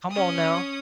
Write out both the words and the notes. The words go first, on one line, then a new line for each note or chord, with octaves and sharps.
Come on, now.
C#4 D#6